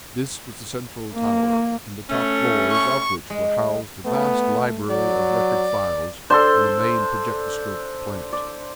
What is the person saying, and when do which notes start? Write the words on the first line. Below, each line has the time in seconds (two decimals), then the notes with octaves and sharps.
This was the central tower, in the top floors of which were housed the vast library of record files and the main projectoscope plant.
1.15 A#3
2.09 A3 C#4
2.72 C#6
3.30 G#3
4.06 A3 B3
4.90 F#3 D5
6.30 D4 A4 C5 C6
8.33 D5